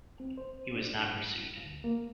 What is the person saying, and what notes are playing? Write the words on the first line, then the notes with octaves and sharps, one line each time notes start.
He was not pursued.
C4
C5
D4
G2
D2
A#3